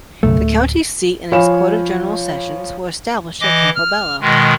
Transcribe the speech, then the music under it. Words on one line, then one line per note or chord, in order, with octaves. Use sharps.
The county's seat and its court of general sessions were established at Campobello.
B1 F#2 C#3 A3
D1
F3 C#5 F5 G#5 B5 E7
E3 D#5 D6
F6
B2 D#3 G#3